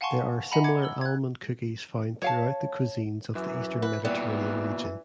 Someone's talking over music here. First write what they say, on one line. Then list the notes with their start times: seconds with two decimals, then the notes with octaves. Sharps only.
There are similar almond cookies found throughout the cuisines of the eastern Mediterranean region.
0.01 F5 F#5 G#5 A5 C6 C#6
0.52 D#5 E5 F#5 G#5 A#5 B5
0.64 D6 G#6 C#7
0.82 E6 F#7 G7
1.01 F#6 G#6
2.22 C#5 F5 A5
3.35 F#2 E3
3.82 B4
4.05 A#2 E3 G3 B3